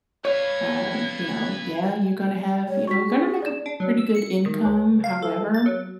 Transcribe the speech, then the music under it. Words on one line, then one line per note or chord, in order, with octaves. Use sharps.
Um, you know, yeah, you're gonna have you know, you're gonna make a pretty good income, however,
B4 C#5 F5 G#6
C#5
F#4 C#6 B6
G#4
D5 E7
D4
F#3
E6
C#7
D#3
C#2
F5
A4
A6
F#3